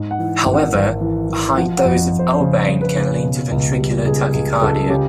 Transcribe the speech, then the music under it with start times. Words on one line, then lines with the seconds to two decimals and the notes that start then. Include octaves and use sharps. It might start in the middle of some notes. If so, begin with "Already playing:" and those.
However, a high dose of ouabain can lead to ventricular tachycardia.
Already playing: G#2
0.11 F#5
0.19 E3
0.46 G#1
0.54 F#5
0.74 G#1
1.01 E3
1.30 E3
1.56 F3 F#5
1.77 F#5
1.85 F2
2.12 F2
2.19 C5
2.40 C#3 C5
2.68 C#3
2.82 B4
2.95 C#3
3.23 B2
3.51 C#2
3.78 G3
4.06 C#2 G#4
4.34 C#2 G#4
4.62 C#2 A4
4.89 C#3 G4